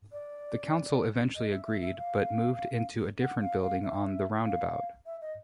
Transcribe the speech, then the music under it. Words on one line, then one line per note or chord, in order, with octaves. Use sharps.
The Council eventually agreed but moved into a different building on the roundabout.
D5
D#5
E5
E5
E5
F5
F#5
F5
F5
E5
F5
E5
D#5